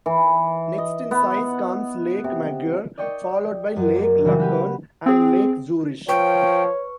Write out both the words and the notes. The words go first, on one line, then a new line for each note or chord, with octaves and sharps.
Next in size comes Lake Maggiore, followed by Lake Lucerne and Lake Zurich.
E3
D#5
B3
F#5
C3
D5 D#5 G5 C#6 C#7
F#2
A#3
C#3 E3 G3 F#4
F#4 G4 B4
C4 G#4
F3 B4 C#5 G5 C#6